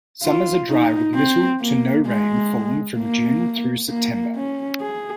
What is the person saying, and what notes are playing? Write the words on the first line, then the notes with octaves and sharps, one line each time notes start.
Summers are dry with little to no rain falling from June through September.
F4
D#4
C4
A#3
G#3
A#3
A#3
C#4
G#4